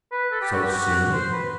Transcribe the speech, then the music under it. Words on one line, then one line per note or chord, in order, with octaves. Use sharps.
"So soon?"
B4
A4
G4
F#4
G4
F#4
C5
B4